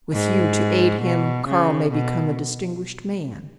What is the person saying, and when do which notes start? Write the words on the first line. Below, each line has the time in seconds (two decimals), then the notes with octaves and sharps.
With you to aid him, Karl may become a distinguished man.
0.13 G#2
1.02 B2
1.47 C#3
1.91 B2